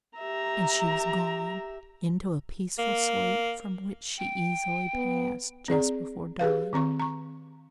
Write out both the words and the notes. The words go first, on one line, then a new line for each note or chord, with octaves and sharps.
And she was gone--into a peaceful sleep from which she easily passed just before dawn.
G4 E5 A#5
A#3
G5
B3
C4 G#4 D5 A#5
G4 G#4 B4 F5
D#3 C4 A#5 C#6
A#5 C#6